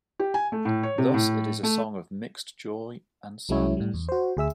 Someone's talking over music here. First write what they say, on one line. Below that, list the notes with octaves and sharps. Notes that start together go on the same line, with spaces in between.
Thus it is a song of mixed joy and sadness.
G4
G#5
A3
A2
C#5
C3
A2
A3
C2 F#3 G#3 C#4 E4 C#5
A2 G3
E2
F#4 C5
D2 G#4 E5 E6